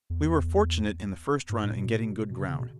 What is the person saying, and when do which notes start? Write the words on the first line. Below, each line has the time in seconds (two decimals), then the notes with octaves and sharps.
We were fortunate in the first run in getting good ground.
0.10 E2
1.49 G#2
1.63 A2
1.76 B2
2.30 B2
2.39 C#3
2.49 C#3
2.60 B2